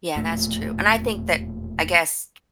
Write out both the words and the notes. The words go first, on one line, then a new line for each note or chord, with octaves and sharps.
Yeah, that's true. And I think that, I guess,
E1 F2 A#2 A3